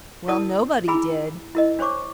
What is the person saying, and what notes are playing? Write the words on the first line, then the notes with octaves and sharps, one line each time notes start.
Well, nobody did.
E4 A#4 D5 A5 D#6
E4 G#4 G#5 A#5 B5 E6
E4 A#4 D#5
D4 C5 C#5 C#6 D6